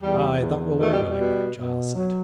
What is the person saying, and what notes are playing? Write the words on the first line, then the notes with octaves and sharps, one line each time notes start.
"Aye, that will we willingly," Giles said.
E2 G3
E2
B2 A3
G3
G3
B2
B2
F#3